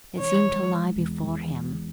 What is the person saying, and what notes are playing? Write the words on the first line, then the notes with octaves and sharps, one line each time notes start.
It seemed to lie before him.
E3 C#5
G#3
G#3
E2
E2
G#3